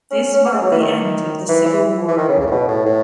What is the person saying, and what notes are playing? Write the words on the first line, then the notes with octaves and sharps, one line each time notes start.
This marked the end of the civil war.
C#4
C#4
C#4
B3
G#3
F#3
E3
D#3
E3
E3
E3
D#3
C#3
C#3
A2
B2
A2
A2